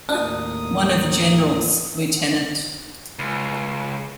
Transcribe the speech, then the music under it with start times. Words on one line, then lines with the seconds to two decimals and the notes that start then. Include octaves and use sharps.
One of the generals, Lieut.
0.12 D#2 A2 A#3 D#6
3.19 C#2